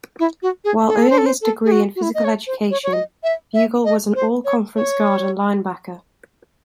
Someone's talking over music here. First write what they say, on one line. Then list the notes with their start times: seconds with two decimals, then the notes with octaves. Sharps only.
While earning his degree in physical education, Bugel was an all-conference guard and linebacker.
0.19 E4
0.42 F#4
0.65 G#4
0.88 A4
0.95 G#4
1.02 A4
1.10 C5
1.18 A4
1.26 C5
1.42 A4
1.65 G#4
1.72 F#4
1.96 F#4
2.02 E4
2.15 D#5
2.24 C#5
2.47 C5
2.71 C#5
2.83 C#5
2.93 D#5
3.23 E5
3.54 E5
3.85 D#5
4.15 C5
4.45 C#5
4.76 C#5